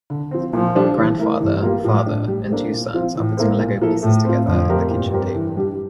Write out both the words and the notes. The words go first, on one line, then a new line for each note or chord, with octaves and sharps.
A grandfather, father, and two sons are putting Lego pieces together at the kitchen table.
D3
F3 C4
A#2 F3
G3 D4 A4 C5
E3
A3 E4 A#4
G2 E3
G3 A#3 F4
A2 F3
A3 D4
G3
A#3 D4 A4 C5
A#2
F3 C4 F4
A2 E3
A#3 E4 A4 C5
A#2
F3 A#3 E4 A4
A2 A3
C4 F4
F2 D3
A3 C4 G4 A#4
G2 A#2
G3 C4 G4 A#4
E3
G3 D4 G4